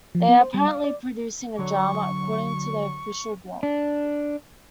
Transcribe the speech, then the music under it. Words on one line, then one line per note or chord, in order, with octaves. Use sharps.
They are apparently producing a drama, according to their official blog.
F3
B3
C5
G3
F5
D5
D3 F#3 C#6
D4